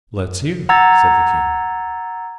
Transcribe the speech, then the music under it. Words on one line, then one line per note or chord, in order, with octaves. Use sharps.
"Let's hear," said the king.
F#5 A#5 E6 G#6 A6